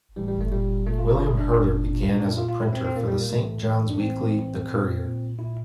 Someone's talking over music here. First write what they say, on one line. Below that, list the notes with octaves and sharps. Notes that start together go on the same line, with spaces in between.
William Herder began as a printer for the Saint John's weekly "The Courier".
A2 E3 G3
G3
A3
A#2 G3
A#2 A3
F4
F4
A#2 E4
D4
A#2
A#2
D4
A#2 E4
F4
F4
A#2 E4
C4
C4
A#2 A#3
G3
A#3
A2 E3 A3
A2 E3
D4
A2 E3 C4
A2 E3
A#2
A#2
A#2 E4